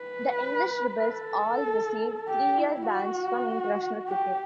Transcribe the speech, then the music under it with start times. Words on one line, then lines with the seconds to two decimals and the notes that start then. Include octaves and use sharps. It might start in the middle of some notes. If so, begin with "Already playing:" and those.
The English rebels all received three-year bans from international cricket.
Already playing: B4
1.07 A4
2.28 G4
2.58 E4
2.88 F#4
4.09 G4